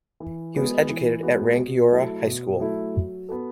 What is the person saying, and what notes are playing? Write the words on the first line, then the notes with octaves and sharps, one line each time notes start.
He was educated at Rangiora High School.
E3
G#3 B3 F#4
E3
G#3 B3 F#4
B2
F#3 A3 E4 A4
B2
F#3 A3 E4 A4
F#3
B3 F#4 A4